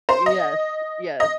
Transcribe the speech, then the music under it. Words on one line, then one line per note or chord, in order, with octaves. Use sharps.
Yes. Yes.
C5
D#5
D#5